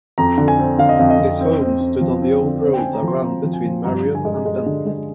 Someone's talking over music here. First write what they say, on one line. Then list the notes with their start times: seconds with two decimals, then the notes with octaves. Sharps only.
His home stood on the old road that ran between Marion and Benton.
0.18 F2 A#5
0.38 D3
0.48 G#5
0.59 C4
0.78 D3 F5
0.89 D#5
0.98 F2 F5
1.10 D#5
1.19 F2
1.41 C4
1.61 C4
1.80 C4
2.01 F3
2.22 C4
2.42 D3
2.62 C4 C5
2.73 G5
2.77 C4 G#5
2.93 A#5
3.02 F3
3.08 C6
3.23 C4 A#5
3.44 F3
3.53 G#5
3.65 F3
3.84 G2 A#5
4.05 D3
4.15 G#5
4.25 G#3
4.45 G#3
4.66 D3
4.86 G#3